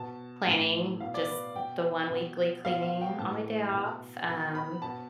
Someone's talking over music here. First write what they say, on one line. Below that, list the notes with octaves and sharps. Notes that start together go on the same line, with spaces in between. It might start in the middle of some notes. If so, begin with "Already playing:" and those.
planning just the one weekly cleaning on my day off, um,
Already playing: B2 A5
A2 E3
B2 F5
D5
B4
B2 G5
B2
B2 F5
F5
G5
A2 E3 A5
B2
B2 B5
B5
B2 A5